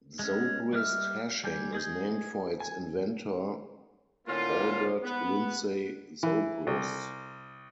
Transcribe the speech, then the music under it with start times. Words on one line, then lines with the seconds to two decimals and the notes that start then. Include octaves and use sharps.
Zobrist hashing is named for its inventor, Albert Lindsey Zobrist.
0.19 G#3 C#4
0.73 G3 B4 D#5 E5 F6
1.44 G3 G#5 G6
1.72 G#3 G#4 G6
2.60 G#5
4.26 A2 D3 A#3 C#4 F4
5.03 B3
6.23 E3
6.67 C2